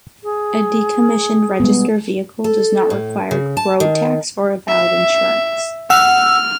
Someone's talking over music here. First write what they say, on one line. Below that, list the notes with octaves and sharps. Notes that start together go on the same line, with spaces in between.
A decommissioned registered vehicle does not require road tax or a valid insurance.
G#4
G3 G#3 B3
A4
A2
C#3
A5
D#3
E5
F#5 E6 F6